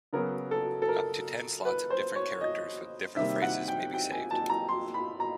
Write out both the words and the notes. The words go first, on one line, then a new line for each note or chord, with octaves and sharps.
Up to ten slots of different characters with different phrases may be saved.
C#3 F#3 B3 A#4
A4
A4
A#4
B4
C5
C#5
D#5
C3 D#3 G3 A#3 E5
F#5
G5
G5
G#5
A5
A#5
C6
B5
A#5